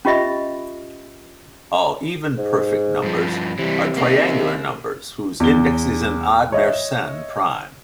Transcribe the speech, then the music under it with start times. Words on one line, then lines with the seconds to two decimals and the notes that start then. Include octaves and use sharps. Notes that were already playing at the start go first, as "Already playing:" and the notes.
All even perfect numbers are triangular numbers whose index is an odd Mersenne prime.
0.05 C#4 F4 G4 D#5 E5 B5
2.38 G#2
3.03 G2 F3
3.59 C3 E3 G3
3.97 A#3 D#4
5.40 E2 G7
6.52 C#5 D#5 E5